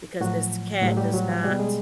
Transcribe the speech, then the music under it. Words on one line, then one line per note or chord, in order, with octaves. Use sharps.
because this cat does not,
A2 F3 F#3 F#4
A2 F#3 G3 G4
G3 G4
F#3 F#4
F3 F4
B2 G3 G#3 G#4
G#3 G#4